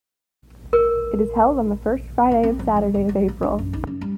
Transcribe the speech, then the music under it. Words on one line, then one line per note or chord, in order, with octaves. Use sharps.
It is held on the first Friday and Saturday of April.
A#4
E4
C4
F3
G3
G1
F#3
F4
D4
F#2
D#4
F#2
G3